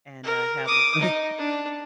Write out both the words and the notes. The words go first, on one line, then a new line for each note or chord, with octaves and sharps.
and, uh, have a really
A#4
D6 D#6
D#4
D4